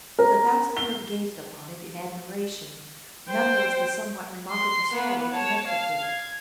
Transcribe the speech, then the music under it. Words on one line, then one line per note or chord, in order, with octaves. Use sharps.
Of the thousands who have gazed upon it in admiration, none knows the somewhat remarkable story connected with it.
A#4
G7
C5 G5
C6
A#3 B3
C#5 A5
F5
G#6